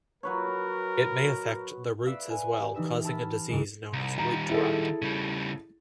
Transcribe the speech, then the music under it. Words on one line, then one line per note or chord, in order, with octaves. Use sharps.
It may affect the roots as well, causing a disease known as root rot.
F#3 A#4 B4 C#5
B4 D5 E5 F5 E6
G#5
G4
E3 D#4 E5 E7
A5 B5 E6 F6 A6 B6
C#2 G#2 C#3 G#3
C2
D#3 G3 A#5
E4 G#4 A4
C#3 G3